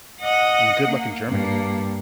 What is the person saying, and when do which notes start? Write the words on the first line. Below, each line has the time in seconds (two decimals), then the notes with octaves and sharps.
And good luck in Germany.
0.21 D#5 F#5
0.86 A#3
1.28 G2 A#3